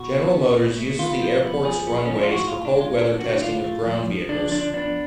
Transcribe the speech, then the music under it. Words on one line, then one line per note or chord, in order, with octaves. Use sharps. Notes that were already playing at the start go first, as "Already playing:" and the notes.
General Motors uses the airport's runways for cold-weather testing of ground vehicles.
Already playing: B2 F#4
B3
C#4
B2
A3
B3 F4
F3
B3
F3 G#4
B3
C#4
F3
D4
F4
A2 F#4
F4
A2
D4
G#3 F4
C#4 D4
D3 F#4
D4
D3 F4
A3
F3
F3
D3 D4
F3 D4
B3 D4